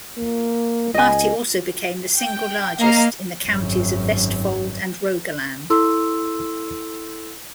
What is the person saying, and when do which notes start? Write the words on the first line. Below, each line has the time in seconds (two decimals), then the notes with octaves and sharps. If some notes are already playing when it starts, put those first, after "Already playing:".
The party also became the single largest in the counties of Vestfold and Rogaland.
0.18 A#3
0.94 C#2 D#5 G#5
2.16 G5
2.79 A#3 D#5 F5 A#5
3.45 G#1 F#2
5.70 E4 A4 C6 E6